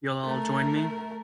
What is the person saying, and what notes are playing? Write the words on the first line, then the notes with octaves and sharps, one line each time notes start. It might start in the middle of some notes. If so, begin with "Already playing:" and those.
You'll join me?
A3 A#4